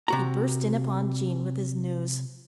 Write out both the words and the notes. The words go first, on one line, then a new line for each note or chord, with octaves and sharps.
He burst in upon Jean with his news.
C3 F#4 A#5